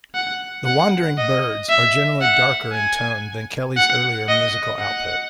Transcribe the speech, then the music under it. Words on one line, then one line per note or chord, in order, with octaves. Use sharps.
The Wandering Birds are generally darker in tone than Kelly's earlier musical output.
F#5
F#5
D#5
E5
F#5
G#5
F#5
D#5
F#5